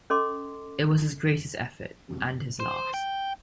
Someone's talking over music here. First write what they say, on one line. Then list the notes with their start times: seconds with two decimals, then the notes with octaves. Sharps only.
It was his greatest effort, and his last.
0.10 C#4 A4 D#5 C6 D6
2.60 C5
2.94 G5